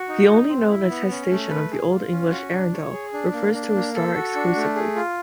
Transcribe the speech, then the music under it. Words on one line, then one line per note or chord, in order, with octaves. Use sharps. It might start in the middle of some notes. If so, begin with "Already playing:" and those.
The only known attestation of the Old English "Earendel" refers to a star exclusively.
Already playing: F#4
D#4
D#4
C4
E4
B3
C#4
A3
B4
G#4
F4
C#4
F#4
D4
C#5
G#4
D4
A#3
D4
A#3
A4
F#4
D4
A3
G#4
F4